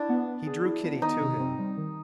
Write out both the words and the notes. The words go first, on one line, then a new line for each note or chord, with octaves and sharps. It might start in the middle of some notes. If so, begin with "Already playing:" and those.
He drew Kitty to him.
Already playing: D4 E4
B3
B3
G#4
E4
B3
D#3 D#4
C3
C4
G3
D#3